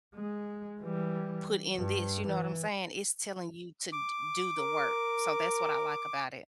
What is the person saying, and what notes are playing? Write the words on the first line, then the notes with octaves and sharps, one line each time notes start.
put in this." You know what I'm saying? It's telling you to d do the work. So that's what I like about it.
G#3
E3 G3
G2
E3
D6
A#4